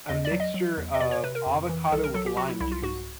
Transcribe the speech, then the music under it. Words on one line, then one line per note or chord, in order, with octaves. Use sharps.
a mixture of avocado with lime juice.
E2 D#5
D5
F#3
D#5
F#3
E2
D#5
C3 D5
C#5
C3 B4
A#4
F2
E3
C2 A4
A#4
F#3 A4
G4
F#3 F#4
E4
C2 E4
F4
G#2 F#4